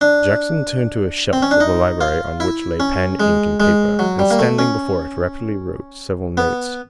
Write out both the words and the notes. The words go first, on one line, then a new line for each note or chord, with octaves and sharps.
Jackson turned to a shelf of the library on which lay pen, ink and paper, and standing before it rapidly wrote several notes.
D4
C4
C#4
D4
D#4
F4
E4
C#4
G#3
G#3
F#3
G3
A#3
A3
C#4
B3